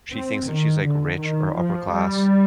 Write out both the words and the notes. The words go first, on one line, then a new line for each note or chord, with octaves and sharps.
she thinks that she's, like, rich, or upper class,
C4
D#3
D3
D#3
F3
G3